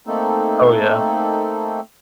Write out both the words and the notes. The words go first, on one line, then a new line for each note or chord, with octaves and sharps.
Oh, yeah.
A3 A#3 C4 D#4 A4